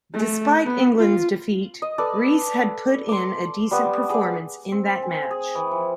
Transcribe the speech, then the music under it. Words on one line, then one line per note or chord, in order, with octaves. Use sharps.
Despite England's defeat, Rees had put in a decent performance in that match.
A3
B3
F4
D#5
A4 B4 D5
C6 D6
G3 B3
G#4 D5
C4
G#5
G#4
E3
F3